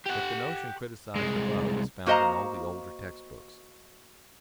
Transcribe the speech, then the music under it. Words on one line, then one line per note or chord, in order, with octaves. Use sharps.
Yet the notion criticized above is found in all the older text-books.
G4 F#5
C2 G#3
A#3 F#4 C5 D#5 F5 A#5